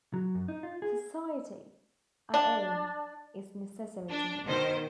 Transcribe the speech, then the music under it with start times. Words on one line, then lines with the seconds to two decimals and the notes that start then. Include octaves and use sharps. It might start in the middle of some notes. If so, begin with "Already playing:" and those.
Society, I own, is necessary to me.
0.14 F#3
0.35 F#2
0.48 D#4
0.63 F4
0.82 G#4
2.34 D4
4.10 D4
4.45 B2 D#3 C5